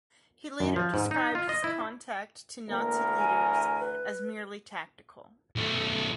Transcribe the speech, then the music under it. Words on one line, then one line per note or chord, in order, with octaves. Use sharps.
He later described his contact to Nazi leaders as merely tactical.
F#2
F3
G#2
D#4
F4
D#5
E4
D2 E3 A#3 A#4
G#5
B4
B1 A3